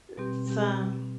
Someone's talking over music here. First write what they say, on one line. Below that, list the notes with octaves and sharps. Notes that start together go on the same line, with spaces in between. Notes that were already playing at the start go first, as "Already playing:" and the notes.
it's, um
B2 G3 C4 G4
B2 G3 C4 G4